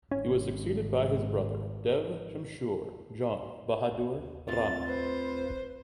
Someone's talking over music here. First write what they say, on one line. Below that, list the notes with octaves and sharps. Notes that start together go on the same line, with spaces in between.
He was succeeded by his brother Dev Shumsher Jung Bahadur Rana.
G#1 C#4
A3 C4 F4 A6
B4 C5